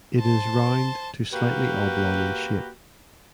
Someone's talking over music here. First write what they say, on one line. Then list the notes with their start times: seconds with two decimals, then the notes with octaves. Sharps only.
It is round to slightly oblong in shape.
0.18 C5 A5
1.33 A#3 F#4 G4 B4